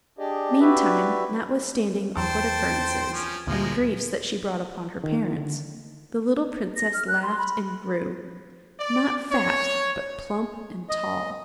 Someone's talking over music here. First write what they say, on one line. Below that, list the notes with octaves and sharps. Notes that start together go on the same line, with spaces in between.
Meantime, notwithstanding awkward occurrences, and griefs that she brought upon her parents, the little princess laughed and grew--not fat, but plump and tall.
D4 G4 G#4 D5 D#5
E4 F#4 G4 B4 D5 E5
E2 C5 G5 A5
F3 C#4
D2 A#2 F3 G#3 A#3
D#3
D3
A#6
F6
F#6
C6
B5
D5
C#5
D#5